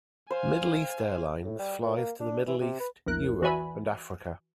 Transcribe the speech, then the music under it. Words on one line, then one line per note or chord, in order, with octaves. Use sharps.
Middle East Airlines flies to the Middle East, Europe, and Africa.
C5 F5 G#5
A2
G3
A#2
A#3
D4
E3
C3
B4
A#1 E2 A#4 F#6
E3 F#4 D5 E5 G#5 B5